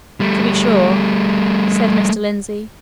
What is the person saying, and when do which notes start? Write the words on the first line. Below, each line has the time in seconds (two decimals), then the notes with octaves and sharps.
"To be sure," said Mr. Lindsey.
0.20 G3 A3